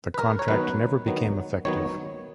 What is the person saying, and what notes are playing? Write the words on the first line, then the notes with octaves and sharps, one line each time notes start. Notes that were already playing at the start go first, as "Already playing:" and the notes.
The contract never became effective.
B4
A#4
C#5
D#3 F#3 B3 B4
D#3 F#3 B3
D#3 F#3 B3 C#5